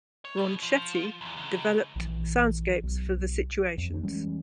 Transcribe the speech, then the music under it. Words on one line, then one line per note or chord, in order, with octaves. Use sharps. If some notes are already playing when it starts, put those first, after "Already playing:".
Ronchetti developed soundscapes for the situations.
C#5
B2
F3
B1 E2
C#2
A#1 E3
B1
F2
E3 G3 G#3 C#4